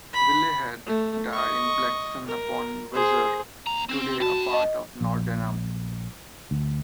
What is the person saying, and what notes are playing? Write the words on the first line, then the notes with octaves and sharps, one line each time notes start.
Willehad died in Blexen upon Weser, today a part of Nordenham.
B5
A3
D#5 C#6
A#4
G#4 C5
D#2 A#5
C4
G2 F#4 A5
D#5
A#1
D2